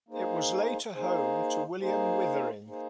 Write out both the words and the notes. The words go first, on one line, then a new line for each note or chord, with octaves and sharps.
It was later home to William Withering.
A#3 D#4 G#4 C5
A#3 D#4 G#4 C5
A#3 D#4 G#4 C5
A#3 D#4 G#4 C5